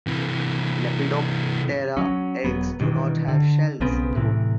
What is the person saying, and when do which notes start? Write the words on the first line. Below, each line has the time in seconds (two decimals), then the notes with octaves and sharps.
Lepidoptera eggs do not have shells, though.
0.07 C3 E3
1.97 F#3 C#4
2.44 E1 F#3 B3
2.80 G2 B2 D#3 E3
3.28 D3
3.81 B1 C#3 B3 C4
4.14 A2 C3 E3